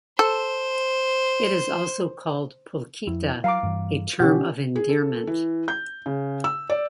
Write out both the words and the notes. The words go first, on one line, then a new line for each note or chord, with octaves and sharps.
It is also called "polquita", a term of endearment.
A4 C5
F2 E4
F#3 F5 A#5 D6
G2 E3
B2 D3 C#4 G4 F#5
G#4
A4
E3
G6
C#3
E6
D5